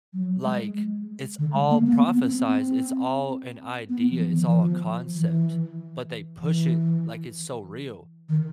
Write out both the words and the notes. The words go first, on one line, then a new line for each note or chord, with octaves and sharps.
like, it's all prophesied. It's all an idea. It's all a concept. But they push it like it's so real.
F#3
G#3
D3
G#3
A#3
B3
B3
C4
C4
B3
F3
E3
E3
F3
E3
E3
D#3